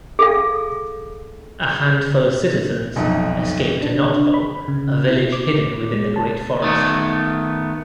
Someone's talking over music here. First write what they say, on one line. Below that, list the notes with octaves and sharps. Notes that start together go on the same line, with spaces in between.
A handful of citizens escape to Knothole, a village hidden within the Great Forest.
G#4 A4 F5
B1 F2 B2 D#4 E5
D4
D4
B5
C#3
E4
D6
G#3
A5
D#3 A3 B3